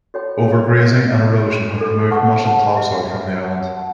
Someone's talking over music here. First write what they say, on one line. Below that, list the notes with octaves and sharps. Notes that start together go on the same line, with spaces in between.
Overgrazing and erosion have removed much of the topsoil from the island.
F#4 A4 C#5 G5 B5
F#4 A4 C#5 G5 B5
F#4 C#5 E5
F#4 C#5 E5
D4 F#4 A4
D4 F#4 A4
B4 F#5 A5 C#6
B4 F#5 A5 C#6
G4 B4 E5 G5
G4 B4 E5 G5
B4 F#5 A5
B4 F#5 A5